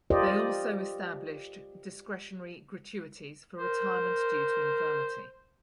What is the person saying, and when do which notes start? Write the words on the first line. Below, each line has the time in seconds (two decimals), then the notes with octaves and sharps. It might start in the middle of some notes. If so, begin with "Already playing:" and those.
They also established discretionary gratuities for retirement due to infirmity.
0.10 F4 G4 A#4 C5 D5 D#5
3.59 A#4 C5